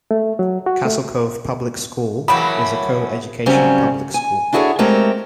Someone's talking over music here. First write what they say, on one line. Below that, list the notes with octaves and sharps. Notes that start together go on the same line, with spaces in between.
Castle Cove Public School is a co-educational public school.
A3
F#3
F#4
A3
C#3 E3 F#3 A#3 G5 A5 B5
C#3 F#3 G3 C4 C#4
G#5
D4 E4 F#4 G#4 A4 C#5
G#3 A3 C4 G4 A#4 C#5